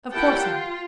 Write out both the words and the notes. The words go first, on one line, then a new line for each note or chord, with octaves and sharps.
Of course not!
E4 G4 A#4 F#5 G5 A5
F4